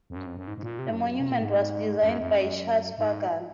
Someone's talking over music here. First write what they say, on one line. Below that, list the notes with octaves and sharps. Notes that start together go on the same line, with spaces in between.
The monument was designed by Chas Fagan.
F2
F#2
F2
F#2
G#2
G#2
A#2
C3
G#2
F#2
C3
A#2
G#2
F#2
F2
F#2
G#2